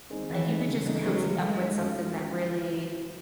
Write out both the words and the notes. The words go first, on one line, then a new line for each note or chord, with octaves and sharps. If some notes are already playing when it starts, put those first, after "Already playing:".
like, you could just cozy up with something that really
D#3 G#3 C4 D#4
D#2 E3
D#3 G#3 C4 D#4
C#3
E3 A3 D#4
C#3 F#3
E3 A3 D#4
F#2 G#3
D#3 F#3 A3
F#2